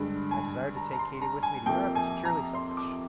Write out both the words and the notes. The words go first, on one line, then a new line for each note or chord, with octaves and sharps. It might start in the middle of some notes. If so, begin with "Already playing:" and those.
My desire to take Katy with me to Europe is purely selfish.
Already playing: G2 D3 G#3
G#5
A#5
A#5
C6
A#5
G#5
F2 C3 F3 A#3 G5
G#5
A#5
C6
D6